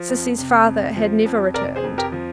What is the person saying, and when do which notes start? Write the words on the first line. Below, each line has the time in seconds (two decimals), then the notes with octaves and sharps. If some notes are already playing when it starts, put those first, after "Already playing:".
Sissy's father had never returned.
Already playing: F3
0.09 F2
0.38 C3
0.66 F2
0.96 F3
1.26 F2
1.54 C3 A#4 D5
1.76 G#4 C5
1.84 F2
1.98 G4 A#4
2.12 F3